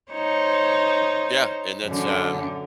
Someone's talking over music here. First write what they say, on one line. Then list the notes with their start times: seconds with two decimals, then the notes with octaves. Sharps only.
Yeah, and that's, um,
0.12 D#4 C5 C#5
1.84 F#2 D3